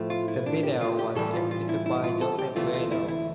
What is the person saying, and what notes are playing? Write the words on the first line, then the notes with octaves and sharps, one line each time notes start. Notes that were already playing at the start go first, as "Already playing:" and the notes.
The video was directed by Jose Bueno.
Already playing: A2 F3 A3
F4
E4
D4
G4
F4
G4
A2 E3 G3 A4
F4
F4
E4
E4
F4
A4
G4
D2 C3 E3 A3 F4
F4
E4
E4